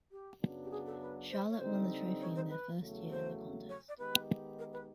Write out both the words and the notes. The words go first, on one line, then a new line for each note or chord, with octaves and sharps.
Charlotte won the trophy in their first year in the contest.
G4
F#2 C#3 F#3 B3 D4
G4
G#4
A4
B4
C5
C#5
D3 G3 C4 D#4 C5
C#5
C5
B4
E2 C#3 F#3 A3
C5
C#5
D5
D#3 G#3 B3 D#4 G4 B4
A#4
B4